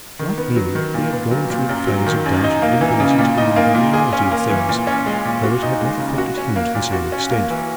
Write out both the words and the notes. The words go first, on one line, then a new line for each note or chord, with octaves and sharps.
Like Mimi, he had gone through the phase of doubt and inability to believe in the reality of things, though it had not affected him to the same extent.
D#3
B3
F#3
D#3
A#2
B3
F#3
A#2
F#2
F#3
D#3
F#2
D#4
A#3
E3
C#3
A#2
D#4
A#3
A#2
G#4
C#4
A#3
E3
A#2
C#4
G#3
A#2
F#4
D#4
G#3
C#3
F#4
C#4
A#3
A#2
F#4
C#4
A#3
E3